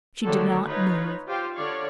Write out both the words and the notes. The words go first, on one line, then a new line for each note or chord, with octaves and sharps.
She did not move.
D3 D#3 A3 F#4 A4 C#5
D#4 F4 B4 C#5
F4 G4 C5 F5 G5
D3 C#5 D5 F5